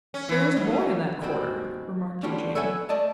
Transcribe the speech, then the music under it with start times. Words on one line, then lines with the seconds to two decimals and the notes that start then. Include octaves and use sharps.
'There was a boy in that quarter,' remarked Eugene.
0.14 C#4
0.29 E3
0.57 D#2
1.22 D#2 G#2 G3 C4 F#4
2.23 D3 F3 G3 A3 C#4 D4
2.55 A4 B4 C#5 E5 F#5 G#5
2.89 A3 D5 D#5 A5